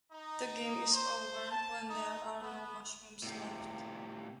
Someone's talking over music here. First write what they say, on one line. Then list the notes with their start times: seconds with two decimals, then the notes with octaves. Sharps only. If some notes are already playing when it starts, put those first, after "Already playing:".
The game is over when there are no Mushrooms left.
0.12 D#4
0.93 C5
1.50 A5
1.88 D#4
2.41 B3
3.23 A2 C3